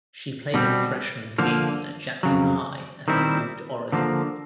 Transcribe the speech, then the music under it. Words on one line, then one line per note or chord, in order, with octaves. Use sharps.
She played her freshman season at Jackson High and then moved to Oregon.
B2 G3 C4
D3 F3 A#3
F2 C#3 F#3
D#3 G3 C4 E4
D3 F3 A#3